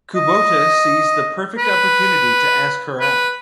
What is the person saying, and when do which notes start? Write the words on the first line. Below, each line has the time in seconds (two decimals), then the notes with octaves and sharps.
Kubota sees the perfect opportunity to ask her out.
0.16 D#5
1.58 B4
3.00 B4